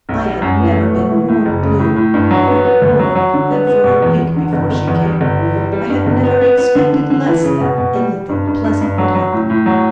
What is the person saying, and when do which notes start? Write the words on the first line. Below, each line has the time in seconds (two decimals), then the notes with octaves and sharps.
I had never been more blue, more bored, than for a week before she came; I had never expected less that anything pleasant would happen.
0.09 B1
0.25 G3
0.42 F#2
0.60 E3
0.77 A3
0.93 B2
1.11 E3
1.28 A2
1.45 F#1
1.63 C#3
1.79 A2
1.96 A2
2.14 G2
2.31 F#3
2.48 B3
2.65 B3
2.82 D2
2.99 F#3
3.16 F#3
3.33 D3
3.51 B3
3.67 B3
3.84 B2
4.02 E2
4.18 E2
4.36 D3
4.53 G1
4.71 G1
4.87 E2
5.05 G3
5.21 G1
5.39 E3
5.56 G3
5.72 G3
5.90 G2
6.06 G1
6.24 B3
6.41 B3
6.58 B3
6.75 D3
6.93 D3
7.10 D3
7.26 E3
7.43 C#3
7.60 B2
7.78 B2
7.95 G3
8.12 G3
8.29 G2
8.47 G2
8.64 G2
8.81 G2
8.98 F#3
9.15 F#3
9.32 A2
9.50 A2
9.66 F#3